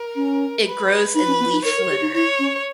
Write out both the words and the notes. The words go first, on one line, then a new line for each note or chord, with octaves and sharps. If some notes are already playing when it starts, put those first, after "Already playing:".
It grows in leaf litter.
Already playing: A#4
C#4
B4
D#4 B4
C#4
B3
D#4
A#4 C#5
A#4
G4
D#4
E4 C#5
C#4